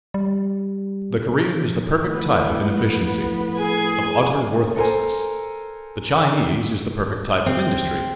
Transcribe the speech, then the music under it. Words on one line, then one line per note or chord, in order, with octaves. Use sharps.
The Korean is the perfect type of inefficiency--of utter worthlessness. The Chinese is the perfect type of industry.
G3
A2 F3 B3
G#4 G#5
A4 A#4 C5 G#5
C4